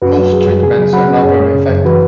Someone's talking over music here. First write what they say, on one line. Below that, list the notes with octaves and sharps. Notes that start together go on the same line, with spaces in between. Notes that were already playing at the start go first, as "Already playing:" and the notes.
Most treatments are not very effective.
F#2 F#4 B4
F#3
F#3 G#4
F#2
C#3 G#4
F#3
F#3 F#5 B5
C#4
F#2 G#4 C#5
G#3
C#3
F#2
E3 F#4 B4